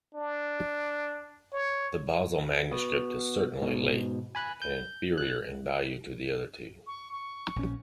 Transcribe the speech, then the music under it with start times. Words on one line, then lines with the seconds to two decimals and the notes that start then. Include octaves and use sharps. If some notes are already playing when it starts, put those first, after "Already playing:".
The Basle manuscript is certainly late and inferior in value to the other two.
0.15 D4
1.53 C#5
2.71 B3 F#4
3.61 G#2 B2
4.35 G#5 B5 F#6
4.62 G6
5.18 F#6
6.87 C#6
7.12 C#6
7.56 A#1 C#4